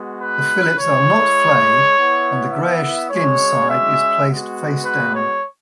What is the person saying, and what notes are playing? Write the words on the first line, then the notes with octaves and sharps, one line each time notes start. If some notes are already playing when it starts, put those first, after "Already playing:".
The fillets are not flayed, and the grayish skin side is placed faced down.
Already playing: G#3 B3 F#4
B4
G#3 E4 C#5
B3 E4
E5
G#3 C#4 F#4 C#5
E5
G#3 B3 F#4
B4
C#5